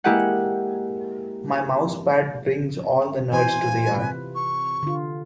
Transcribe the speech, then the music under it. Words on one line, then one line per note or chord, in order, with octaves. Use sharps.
My mousepad brings all the nerds to the yard.
G#3 A#3 E4 G4 G#4 F#5
E3 C5 G#5
F4
C3 B4
C#6
D3 F4